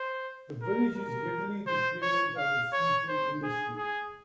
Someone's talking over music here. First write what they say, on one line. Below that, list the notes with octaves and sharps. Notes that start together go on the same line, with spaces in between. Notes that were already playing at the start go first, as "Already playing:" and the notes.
The village is heavily dependent on the seafood industry.
Already playing: C5
A#4
A#4
C5
C#5
F5
C#5
C5
G#4
G#4